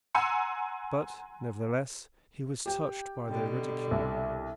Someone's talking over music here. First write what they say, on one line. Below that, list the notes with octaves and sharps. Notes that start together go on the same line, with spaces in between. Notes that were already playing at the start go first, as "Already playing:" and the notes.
But, nevertheless, he was touched by their ridicule.
F#5 G#5 A#5 C6 E6 C#7
G4 G5
B2 D3 G3
C2